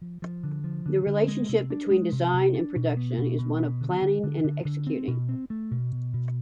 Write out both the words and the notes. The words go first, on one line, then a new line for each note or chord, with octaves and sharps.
The relationship between design and production is one of planning and executing.
F3
F3
D3
F3
D3
D3
G#3
C3
D4
G#3
C3
C3
D4
B2
B3
B2
B2
B3
D3
D3
D3
D3
D3
C4
B2
C4
A3
B2
B2
B2